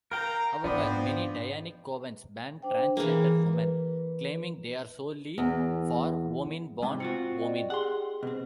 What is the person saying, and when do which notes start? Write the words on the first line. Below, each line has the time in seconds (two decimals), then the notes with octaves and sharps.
However, many Dianic covens ban transgender women, claiming they are solely for womyn-born-womyn.
0.12 A#4 F5 G5 A#5
0.64 G#2 F3 B3 C4 D4
2.62 D4 C5 G5
2.97 E3 A#3 G#4
3.53 B4
5.38 E2
6.82 G#2 C3 G5
7.00 C4 F4 F#4 C#7
7.41 D5 D#5 G5
7.70 G4 G#4 F#5 G5 C6
8.23 B2 C4